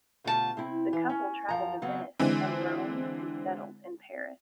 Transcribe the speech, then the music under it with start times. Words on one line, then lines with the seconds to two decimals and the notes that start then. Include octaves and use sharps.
The couple traveled to Venice and Rome and settled in Paris.
0.24 D2 B2 F4 G4 A#4 A5
0.57 C3 C4 E4
0.93 E3
1.09 C#4
1.49 F#2 F3 A#5
1.82 C#3 F#3 B3 C4
2.19 D3 E3 G#3 C4